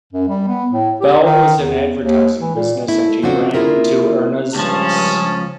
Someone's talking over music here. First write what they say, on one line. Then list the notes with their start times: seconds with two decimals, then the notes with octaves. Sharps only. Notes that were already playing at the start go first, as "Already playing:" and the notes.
Bell was in advertising business and he ran into Irna's niece.
0.13 F#2
0.29 G3
0.47 B3
0.71 A2
1.00 G4
1.21 D#3
1.58 E2
2.01 D#2
2.41 E3
2.56 A#2
2.89 A3 E4
3.22 F2 C#3 C4 D4 F4 F#4
3.54 A#3 E4 F4 G#4 A#4 E5
4.55 C#2 G2 F3 C#4 A5